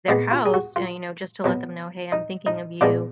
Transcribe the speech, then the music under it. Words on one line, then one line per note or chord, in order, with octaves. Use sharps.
their house, and you know, just to let them know, "Hey, I'm thinking of you,
A#2 G#3 B3
F4
G#4
F#4
F4
B2 F#3 B3
D#4
D#4
A#2 F3 G#3 B3 D4